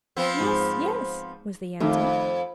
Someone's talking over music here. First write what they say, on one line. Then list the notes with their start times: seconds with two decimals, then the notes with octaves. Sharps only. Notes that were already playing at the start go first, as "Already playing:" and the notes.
"Yes, yes," was the answer.
0.17 F3 B3 C4
0.40 G#2
1.80 F2 D#3 A3